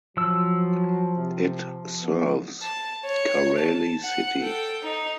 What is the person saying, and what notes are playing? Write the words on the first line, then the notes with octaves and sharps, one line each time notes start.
It serves Kareli city.
F3 F#3 E6
C3
B3
A5
C#5
A5
F#5
A4 G5
D#4